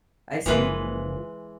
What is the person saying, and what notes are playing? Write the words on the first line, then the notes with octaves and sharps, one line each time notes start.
I see.
F#1 C#2 E3 F3 G#3 A#3 F4 B4